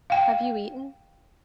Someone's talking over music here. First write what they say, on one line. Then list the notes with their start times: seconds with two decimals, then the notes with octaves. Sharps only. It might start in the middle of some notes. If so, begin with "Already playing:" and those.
Have you eaten?
0.10 F5 G5